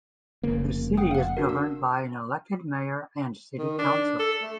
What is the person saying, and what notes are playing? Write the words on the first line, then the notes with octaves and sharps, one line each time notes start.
The city is governed by an elected mayor and city council.
F1 C#3 A#3
F#5 G5 D#6
F5 F#5
D4 F#4 A#4
E6
D#3
D4
A4
A3